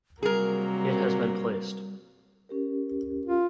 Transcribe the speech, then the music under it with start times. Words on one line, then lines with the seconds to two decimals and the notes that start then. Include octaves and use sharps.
It has been placed.
0.23 C3 F#3 G3 A#3 G#4 A#4
2.49 C#4 G4 A#4
3.26 F4